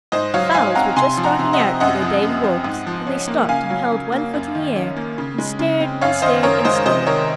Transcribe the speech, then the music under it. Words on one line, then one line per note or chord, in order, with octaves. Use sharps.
The fowls were just starting out for their daily walks, and they stopped and held one foot in the air, and stared and stared and stared.
G#2 C5 D#5
F#3 C#5 F5
G#2 F5 G#5
C4 F#5 A#5
C3 G#5 C6
F3
F#5 A#5
C3
D#5 F#5
C4
F#2 D#5 F#5
F3
F#2
C4
G#2
F3
C#4
A#3
C#3 F5 G#5
F#3
C#3
A#3
F#2
D#3
C#4
A#3
C#3
G#3
C#3
C4
F#2 C#5 F5
D#3 C5 D#5
F#2 A#4 C#5
G#3 C5 D#5
C3 C5 D#5
D#3 A#4 C#5